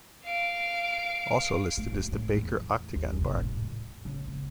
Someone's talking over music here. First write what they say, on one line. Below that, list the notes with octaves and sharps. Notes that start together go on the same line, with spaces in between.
Also listed is the Baker Octagon Barn.
F5 D7
A3
F#2
A2
E2
D#2
C3
A2
F2
C#3
C4